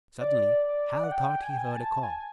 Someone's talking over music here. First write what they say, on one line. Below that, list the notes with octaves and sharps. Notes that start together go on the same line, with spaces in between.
Suddenly Hal thought he heard a call!
D5
F#5
G5
G#5
G5
G#5
A5
G#5